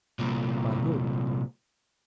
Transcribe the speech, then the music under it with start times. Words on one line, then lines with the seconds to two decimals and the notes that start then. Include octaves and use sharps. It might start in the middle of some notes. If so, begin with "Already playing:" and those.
"By whom?"
0.19 C2 A#2